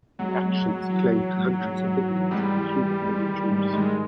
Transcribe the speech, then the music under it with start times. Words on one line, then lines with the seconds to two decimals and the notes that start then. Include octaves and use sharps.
The actions claimed hundreds of victims, including many Jews.
0.19 F#3 G#3
0.43 G#3
0.66 G#3
0.89 E3 F#3
1.14 E3
1.37 G#2
1.61 G#3
1.85 G#2
2.08 E3
2.31 G3 G#3
2.55 E3
2.79 E3
3.02 G#3
3.25 D#3
3.49 G#2
3.73 D#3 G#3